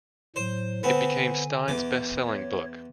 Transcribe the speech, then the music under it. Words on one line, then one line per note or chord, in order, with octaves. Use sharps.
It became Stein's best-selling book.
A2 F#3 C5
D3 B3 C4 G#5
E2 D6
C#5